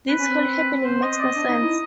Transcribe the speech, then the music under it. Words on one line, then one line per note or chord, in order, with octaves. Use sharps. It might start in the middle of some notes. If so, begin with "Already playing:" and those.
This whole happening makes no sense.
C4 B4
C#4
C4
C5
D#5
D5
C4 D#5
D4
D#4
E4